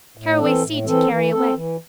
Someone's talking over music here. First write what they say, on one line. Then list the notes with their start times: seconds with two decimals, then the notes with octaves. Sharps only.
Caraway seed to carry away.
0.17 A2
0.40 E3 C4 A4
0.63 A2
0.86 E3 C4 A4
1.08 E3
1.31 C4 A4
1.54 E3